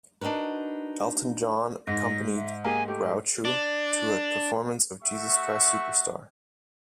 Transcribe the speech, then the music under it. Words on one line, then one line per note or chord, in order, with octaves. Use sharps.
Elton John accompanied Groucho to a performance of "Jesus Christ Superstar".
D4 D#4 F#4 A#4 B4
G#2 A#6
E5
A#3 G4 G#4 G#5
A3 G4
D4
A3 F#4 E5 C#6